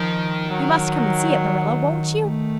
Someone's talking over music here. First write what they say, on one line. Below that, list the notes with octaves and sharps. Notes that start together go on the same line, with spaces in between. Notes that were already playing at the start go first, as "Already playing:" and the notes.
You must come and see it, Marilla--won't you?
Already playing: D#3 F3
F#3
A3